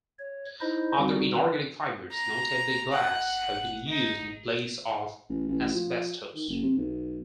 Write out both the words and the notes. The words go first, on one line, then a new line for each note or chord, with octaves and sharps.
Other inorganic fibers, notably glass, have been used in place of asbestos.
C#5
D#4 E4 C5 D#5
D#3 G3 C4 D#4 F#4
D#3 B4
A#5
F#5
D#4
A1
A1
F3
D#3
F#1
C3
B1